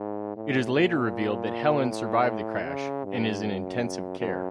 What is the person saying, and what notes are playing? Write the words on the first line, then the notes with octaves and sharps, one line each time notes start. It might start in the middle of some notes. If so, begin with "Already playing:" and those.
It is later revealed that Heller survived the crash and is in intensive care.
Already playing: G#2
A2
A#2
A2
C#3
G2
F#2
F#2